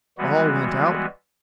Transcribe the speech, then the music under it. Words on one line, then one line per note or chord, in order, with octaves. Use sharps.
All went out.
E3 G3 G#3 B3 F#4